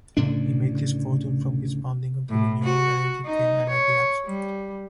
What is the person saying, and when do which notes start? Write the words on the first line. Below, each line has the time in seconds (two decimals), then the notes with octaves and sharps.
He made his fortune from his founding of the renewable energy firm Energy Absolute.
0.17 D2 A2 C#3 D4
2.29 A2
2.64 F#4
3.26 D#4
3.70 C#5
4.25 G3